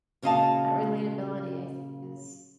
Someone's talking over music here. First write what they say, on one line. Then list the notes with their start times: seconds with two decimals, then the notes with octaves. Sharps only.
That relatability, I think, is
0.22 A#2 C#3 F#4 D#5 F5 A5